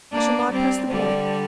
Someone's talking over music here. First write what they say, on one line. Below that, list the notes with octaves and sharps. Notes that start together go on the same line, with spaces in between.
I shall not press the point.
A#3 D4
G3 C4
D3 G3